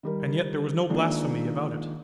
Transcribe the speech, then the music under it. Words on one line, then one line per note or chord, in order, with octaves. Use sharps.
And yet there was no blasphemy about it.
D#3 G3 A#4
D#3 F3 G#3 A#3 D4 D#4